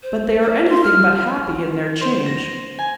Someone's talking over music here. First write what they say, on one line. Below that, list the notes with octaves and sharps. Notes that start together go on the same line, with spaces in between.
But they are anything but happy in their change.
C5
C5
C6
F6
C5
A#6
G#5